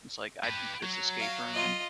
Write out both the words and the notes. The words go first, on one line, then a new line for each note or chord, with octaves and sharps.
That's like, "I beat this escape room."
G4 B4
F#3
F5
F4 D#5